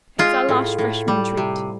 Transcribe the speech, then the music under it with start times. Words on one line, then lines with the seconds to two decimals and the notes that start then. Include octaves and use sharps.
It's our last freshman treat.
0.19 G#3 F4
0.49 A2
0.78 A2
1.08 G3
1.37 C3